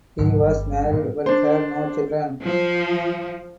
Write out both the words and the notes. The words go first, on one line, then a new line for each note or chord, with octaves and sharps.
He was married but had no children.
C2 G#2 D3 F#3
G1 G3
G2 A#2
D4 C5
F3